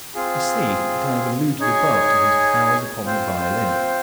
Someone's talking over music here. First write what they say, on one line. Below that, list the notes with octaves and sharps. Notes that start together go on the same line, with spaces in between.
I see that I have alluded above to his powers upon the violin.
C4 F4 G#4
D#4 G#4 C#5 G#5
C4 F4 C5 G5